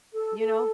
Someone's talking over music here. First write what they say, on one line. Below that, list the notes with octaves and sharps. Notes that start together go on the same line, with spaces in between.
You know?
A4
A4